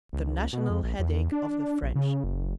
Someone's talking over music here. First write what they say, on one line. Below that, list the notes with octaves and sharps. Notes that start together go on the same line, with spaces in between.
The national headache of the French.
C#2
B2
F2
A#1
E2
D4
A#1
C#3
F#1